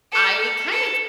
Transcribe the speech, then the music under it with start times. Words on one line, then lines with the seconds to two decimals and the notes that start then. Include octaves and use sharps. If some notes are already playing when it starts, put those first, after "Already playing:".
I kind of
0.12 A4
0.40 A4
0.70 A4